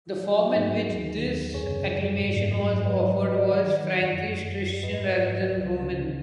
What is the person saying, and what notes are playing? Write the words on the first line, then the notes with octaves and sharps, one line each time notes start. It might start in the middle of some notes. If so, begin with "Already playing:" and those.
The form in which this acclamation was offered was Frankish-Christian rather than Roman.
F#3 G#4
F#3 F#4
D#4 G#4
G#2
F#3
D#2
D#3
D#2
D#2
F#2 G#4 C#5
C#3
F#3
F#2
G#2
G#2
F#3
G#2
F#3 B4 D#5
F#3
F#3 B4 D#5
F#3
D#3 C#5 F#5
F#3
D#3
F#2
F#2
F#2
F#3
F#2
G#2 B4 D#5
F#3
G#2
F#3
C#2
C#2
C#3
C#3